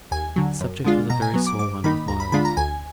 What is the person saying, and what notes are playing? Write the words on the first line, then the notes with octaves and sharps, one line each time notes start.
The subject was a very sore one with Myles.
D#2 G#5
D3 F#3
F#2
D3 G#3 D4 F4
B2 A#5
G#5
F#3 B3
D6
G#2 D6
D#3 A#3 D#4 B5
D2 A#5
B5
D3 G#3 D4 F4 B5
A#5
D2 G#5